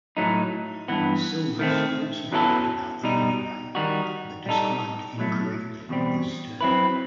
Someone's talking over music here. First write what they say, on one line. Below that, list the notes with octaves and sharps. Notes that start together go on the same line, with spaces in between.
Sylvus also wrote about the vertebrae, but described incorrecty the sternum.
A2 F#3 A3 D#4
G2 E3 B3
D#3 A3 C4
F#2 F#3 B3 E4 A4
B2 G3 D#4
D#3 G3 D#4 F#4
G3 D#4 A4
A2 F#3 A3
E2 B2 G3 C4
F#3 C4 E4 B4